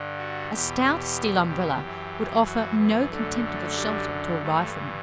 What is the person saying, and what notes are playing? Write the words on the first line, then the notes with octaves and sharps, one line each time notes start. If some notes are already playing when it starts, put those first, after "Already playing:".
A stout steel Umbrella would offer no contemptible shelter to a rifleman.
Already playing: G2 D3
F#4
E2 B2 G4
G4
G4
F#2 E3
F#4
B3
F#2 D3 A3
A3
G3
G2 E3 A3